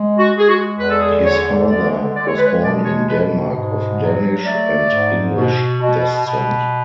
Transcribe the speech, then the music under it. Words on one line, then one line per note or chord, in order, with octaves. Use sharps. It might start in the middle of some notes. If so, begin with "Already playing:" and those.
His father was born in Denmark of Danish and English descent.
Already playing: G#3
F#4
G#3
G#4
F#4
E2 B4
A4
G#4
A4
D3 C#5
G#3 D5
G#3 D5
C#5
B4
C#5
B2 D5
C#5
B2 B4
G#2
F#3
A3 D5
G#2
B2
B2
B2